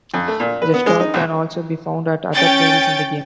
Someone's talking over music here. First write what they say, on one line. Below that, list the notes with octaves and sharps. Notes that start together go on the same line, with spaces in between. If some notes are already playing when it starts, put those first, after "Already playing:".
The star can also be found at other places in the game.
F2
A3
A#2
B4
B3
G#3
D#4
B1
C#4 C#5 G5 G6 A6